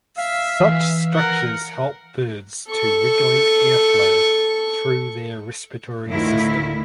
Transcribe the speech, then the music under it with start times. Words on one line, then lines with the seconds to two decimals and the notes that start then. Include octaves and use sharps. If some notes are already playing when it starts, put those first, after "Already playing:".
Such structures help birds to regulate air flow through their respiratory system.
0.18 E5 F5
0.60 E3
1.14 A#4 F#5
2.69 A4 C#6
6.09 D2 A2 D#3 E4 F4